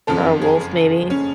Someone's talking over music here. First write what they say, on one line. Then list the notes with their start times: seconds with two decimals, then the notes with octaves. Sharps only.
or a wolf, maybe
0.07 F#1 F2 C#3 F3 A4
0.41 G#4
1.10 C#4